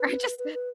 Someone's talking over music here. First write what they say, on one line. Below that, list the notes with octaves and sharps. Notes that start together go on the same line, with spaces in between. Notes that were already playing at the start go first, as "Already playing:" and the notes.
I just
Already playing: B4
B4
B4